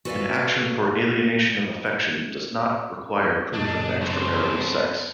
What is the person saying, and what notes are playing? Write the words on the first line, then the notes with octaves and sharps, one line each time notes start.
An action for alienation of affection does not require proof of extramarital sex.
F#4 A4 B4 C5 D5 F5
F#2 A#2 C#3 D4 D#5 A5
F#3 B3 C4 A4 C5